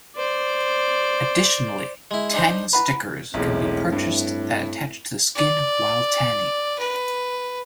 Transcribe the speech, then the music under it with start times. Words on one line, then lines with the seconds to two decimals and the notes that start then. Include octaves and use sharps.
Additionally, "tanning stickers" can be purchased that attach to the skin while tanning.
0.16 C5 D5
2.11 G#3 E4
2.33 D4 D#4 C5
2.73 E4 B4 F#5 B5
3.34 E1 B1 A2 C4 E4
3.92 G2
5.35 D5
6.79 B4